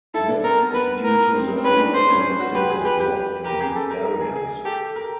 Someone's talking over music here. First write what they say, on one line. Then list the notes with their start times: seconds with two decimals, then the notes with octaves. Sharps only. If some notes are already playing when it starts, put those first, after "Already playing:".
This is due to the over-collecting of rock in these areas.
0.14 E4 A4
0.29 D4
0.44 C4 A#4
0.60 B3
0.74 B4
1.04 A#4
1.34 C4
1.58 C4
1.64 C#4 B4
1.80 D4
1.95 D4 C5
2.10 C#4
2.40 F#4
2.55 G4 B4
2.70 G#4
2.85 G4 B4
3.00 G4
3.45 G4 A#4
3.60 G#4
3.76 A4
3.91 A#4
4.05 A#4
4.21 G#4
4.36 G#4
4.65 G4 A4
4.96 A#4